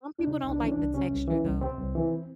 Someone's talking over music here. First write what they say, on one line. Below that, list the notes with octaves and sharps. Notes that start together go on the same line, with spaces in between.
some people don't like the texture though,
D4
C3 D#4
C2
D4
E3 C#4
D4
C2
C3 C#4
C2
E3
C2
C3 C4
C2
E3